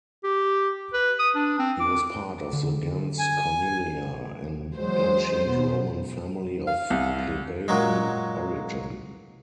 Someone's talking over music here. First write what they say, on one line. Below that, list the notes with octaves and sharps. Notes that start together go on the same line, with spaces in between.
He was part of the gens Cornelia, an ancient Roman family of plebeian origin.
G4
B4
D#6
D4
C4
D6
D3
G#5
E2 F#3 G#3 C5
B2 B3
F5
C2
A#2 F#3 G#3